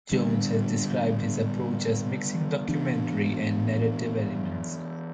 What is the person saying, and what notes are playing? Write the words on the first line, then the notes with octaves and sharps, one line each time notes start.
Jones has described his approach as mixing documentary and narrative elements.
D3 G3 B3 D4
E3 B3 D4